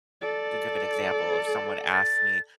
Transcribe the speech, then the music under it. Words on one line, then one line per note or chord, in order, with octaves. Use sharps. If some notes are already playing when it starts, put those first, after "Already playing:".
think of an example. If someone asked me,
A4 D5
A6